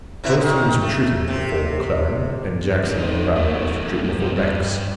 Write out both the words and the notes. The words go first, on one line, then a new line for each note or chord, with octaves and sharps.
Johnston was retreating before McClellan, and Jackson in the valley must retreat before Banks.
B2 D3 E4
D#3
A3
C3
F2 G#2
D#4 F4
F#2 A3
F#2
G3 C4
G2